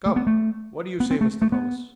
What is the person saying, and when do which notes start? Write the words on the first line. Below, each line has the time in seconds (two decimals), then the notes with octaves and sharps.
"Come, what do you say, Mr. Thomas?"
0.06 A3
0.16 B3
0.27 A3
1.00 B3
1.11 C4
1.21 A3
1.42 A3
1.52 B3